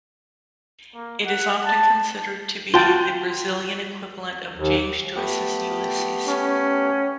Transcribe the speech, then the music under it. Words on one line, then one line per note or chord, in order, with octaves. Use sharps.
It is often considered to be the Brazilian equivalent of James Joyce's "Ulysses".
A#3
F#5
A5
F4 F#4 G5 A5 C6
D#2
A3 B3 G4
C#4